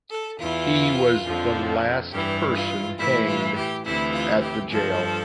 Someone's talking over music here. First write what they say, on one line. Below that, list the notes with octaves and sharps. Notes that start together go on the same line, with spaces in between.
He was the last person hanged at the jail.
A4
E2 E3 F4
F2 D3 F3
G2 E3 G4
F4
A2 E3 E4
F4
G4
D2 C3 E3 E4
F4
G4
G2 F3 A4